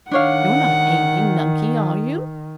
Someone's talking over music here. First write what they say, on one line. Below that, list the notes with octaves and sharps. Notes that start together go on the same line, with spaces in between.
You're not ailing, Nunkie, are you?
D#3 D4 C#5 F5 F#5